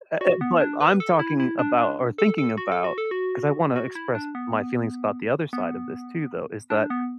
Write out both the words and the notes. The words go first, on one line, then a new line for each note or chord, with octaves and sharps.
Eh eh, but I'm talking about or thinking about- 'cause I wanna express my feelings about the other side of this too, though- is that
F#4
B3
D4
B4
A4
E4
E4
D4
D4
A4
A4
F#4
A4
F#4
A4
F#4
F#4
E4
D4
B3
B3
D4
B3